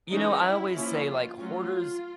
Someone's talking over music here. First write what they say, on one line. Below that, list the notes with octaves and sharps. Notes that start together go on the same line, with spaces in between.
you know, I always say, like, Hoarders,
E3 G#3 C#4 D#4
E4
F3 A#3 C#4 E4
F4
F#3 A3 C#4 F4